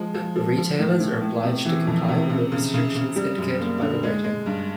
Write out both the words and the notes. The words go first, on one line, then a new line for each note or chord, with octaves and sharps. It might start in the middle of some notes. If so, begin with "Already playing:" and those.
Retailers are obliged to comply with the restrictions indicated by the rating.
Already playing: F3 G#3
F3
F3
F3
A2
A2
A2
C3
E3
F2
C3
C#3
C#3
C#3
C#3
G3
F#2
A#3
D3
G#3
G#3
G2